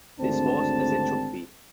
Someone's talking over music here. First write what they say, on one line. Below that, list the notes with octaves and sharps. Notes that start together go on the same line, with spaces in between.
This was as it should be.
G#1 D2 C4 D4 A5